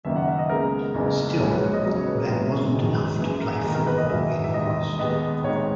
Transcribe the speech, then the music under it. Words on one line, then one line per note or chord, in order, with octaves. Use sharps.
Still, that wasn't enough to play football in August.
F#1 F#2 D#3 A#3 E5
F#5
E5
D#5
C#2 C#3 G#3 B3 A#4
F#1 E2 C#3 E3
A#1 G#2 F#3 A#3 C#5
B4
C#5
D#5
E2 C#3 F#3 A#3 D#5
C#5
B4
A#4
F#2 E3 G#3 B3
A#1 G#2 D#3 F#3
F#2 E3 A#3 G#4
A#4
G#4
E1 E2 D#3 A#3 A#4
A#4
B4
D#5
E1 E2 D#3 F#3 E5
E5
E1 D#2 D#3 D#5
D#2 D#3 G#3 B3 D#5
G#1 G#2 D#3 C#5